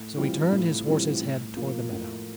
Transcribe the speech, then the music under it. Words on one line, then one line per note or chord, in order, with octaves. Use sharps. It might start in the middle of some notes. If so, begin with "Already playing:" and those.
So he turned his horse's head toward the meadow.
Already playing: A2
E3 G3 C4 F4
A2
E3 G3 C4 F4
A2
F3 A#3 F4
A2